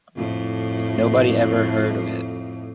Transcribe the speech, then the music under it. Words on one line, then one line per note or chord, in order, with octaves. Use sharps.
Nobody ever heard of it.
F2 A2